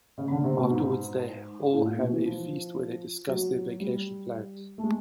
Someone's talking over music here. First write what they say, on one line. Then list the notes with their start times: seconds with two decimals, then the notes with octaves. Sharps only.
Afterwards, they all have a feast where they discuss their vacation plans.
0.18 C#3
0.31 D3
0.44 C3
0.57 B2
0.70 G#2
1.73 A2
1.86 A#2
1.99 B2
2.12 E3
2.25 F3
3.28 F#3
3.80 G3
4.78 A3
4.83 G#3